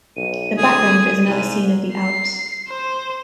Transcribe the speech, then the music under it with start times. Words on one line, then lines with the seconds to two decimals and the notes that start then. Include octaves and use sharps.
The background is another scene of the Alps.
0.16 B1 D#7
0.58 D2 G#4
1.27 C2 G#2
1.93 C7
2.69 C5